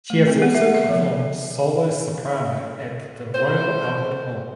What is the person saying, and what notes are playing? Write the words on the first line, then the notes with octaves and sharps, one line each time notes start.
She has also performed solo soprano at the Royal Albert Hall.
A3
C4
B3
E5
E5
F3
C5